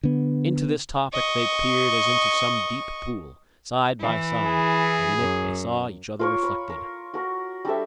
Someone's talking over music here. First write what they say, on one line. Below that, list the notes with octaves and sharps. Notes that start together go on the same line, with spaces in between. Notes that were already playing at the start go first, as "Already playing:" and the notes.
Into this topic they peered as into some deep pool, side by side, and in it they saw each other reflected.
D3 B3
D#5 C#6
E3 E4
G#4
F#2
F4 A#4 C#5
B5
A#4
F#4 A#4
G3 D4 A4 E5